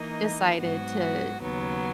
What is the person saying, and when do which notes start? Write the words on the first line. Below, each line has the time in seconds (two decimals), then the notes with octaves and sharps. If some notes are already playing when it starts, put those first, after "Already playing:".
decided to
Already playing: E3 A#3 D#4 A#4 D#5
0.59 G#2 F#3 B3 F#4
1.40 D#2 C#3 F#3 B3